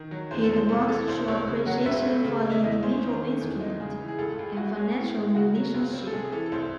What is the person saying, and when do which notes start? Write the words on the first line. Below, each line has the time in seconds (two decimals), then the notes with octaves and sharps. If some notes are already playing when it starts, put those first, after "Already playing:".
His works show appreciation for the individual instrument and for natural musicianship.
Already playing: D#3
0.11 F#3
0.31 E2 C5
0.44 A4
0.50 E2
0.56 C5
0.69 C3 A4
0.88 E3 A4
1.08 C2 C5
1.27 C2 C#5
1.47 C#3
1.66 F#3 F#5
1.85 C#2 E5
2.06 A3
2.24 C#3
2.45 G#3
2.52 E5
2.63 E2 D#5
2.83 C#4 C5
3.03 D#3
3.22 A3
3.41 E2
3.61 D#4
3.80 C#3 G#4
4.00 E3
4.08 G#4
4.18 C#2 A4
4.38 C#2 G#4
4.57 G#3 F#4
4.77 C#4 G#4
4.97 A2
5.15 A2
5.35 C#3 F#4
5.55 F#3
5.74 C#2
5.93 C4
6.07 A4
6.12 C3 G#4
6.32 E3 A4
6.46 A4
6.52 C2 C5